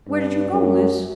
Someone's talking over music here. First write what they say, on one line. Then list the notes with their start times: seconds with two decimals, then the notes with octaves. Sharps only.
'Where did you go, Liz?'
0.08 G2
0.50 F#2